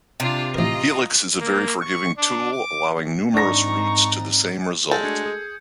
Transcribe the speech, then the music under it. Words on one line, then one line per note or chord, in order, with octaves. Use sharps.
Helix is a very forgiving tool, allowing numerous routes to the same result.
C3 D4 F4
A1 F4 A#4 D#5 A#5
A#3
C#6
D4
D6
G#2 D#3 C4 D4 D#4 A#5 C#6 A#6
G#3 A4 G6
A3 D4 F#4 G#6 C#7
G#4